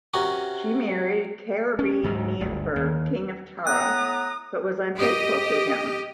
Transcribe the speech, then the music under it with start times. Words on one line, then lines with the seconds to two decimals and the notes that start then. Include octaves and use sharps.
She married Cairbre Nia Fer, king of Tara, but was unfaithful to him.
0.14 C3 C#4 F#4 A#4
1.79 C#4
2.03 D2 G#2 F#3
2.41 G1 D2
2.76 D#2
3.67 A2 B3 A#5 D#6 F#6
4.98 G4 D#5